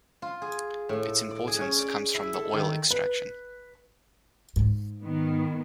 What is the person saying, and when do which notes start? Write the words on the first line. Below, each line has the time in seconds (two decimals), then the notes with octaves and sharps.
Its importance comes from the oil extraction.
0.22 F4
0.42 G#4
0.89 A2
1.05 A4
1.31 D5
1.48 G#4
1.61 C#4
1.78 D5
2.14 E4
2.34 A4
2.53 D#3
2.91 B4
4.56 G#2
5.03 D#3 B3